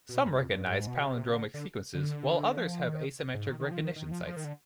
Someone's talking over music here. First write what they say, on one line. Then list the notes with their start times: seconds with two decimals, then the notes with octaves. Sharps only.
Some recognize palindromic sequences while others have asymmetric recognition sites.
0.09 B2
0.25 G2
0.40 F2
0.51 F2
0.56 G2
0.71 G#2
0.87 B2
1.02 C3
1.33 D3
1.54 D3
1.95 D3
2.57 F3
2.88 D#3
3.34 G#2
3.49 D#3
3.60 D#3
3.71 F3
3.81 D#3
3.96 D#3
4.11 F3
4.27 F3
4.37 D#3
4.44 D3